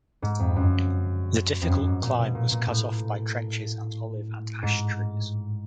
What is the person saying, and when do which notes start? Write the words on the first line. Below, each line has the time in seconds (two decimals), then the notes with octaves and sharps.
The difficult climb was cut off by trenches and olive and ash trees.
0.22 G#2
0.39 F2
0.56 F#2
1.62 F2
1.70 F#2
1.86 G#2
2.03 A#2
2.18 B2
2.35 A#2
2.51 A#2
2.67 A2
4.62 G#2